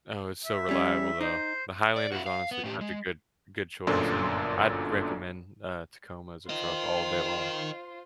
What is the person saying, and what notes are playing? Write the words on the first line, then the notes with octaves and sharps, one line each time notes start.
Oh, it's so reliable, though. The Highlander's honestly such a good good choice, and I'd recommend, uh, Tacoma as a truck all day long
E5
G3 C#4
D#4 C5
D5
E4 F#4
F5
B3
A2 G4
G#3
G1 F#2 A#2 D4 A4 C6
F4 A#4 C5 D#5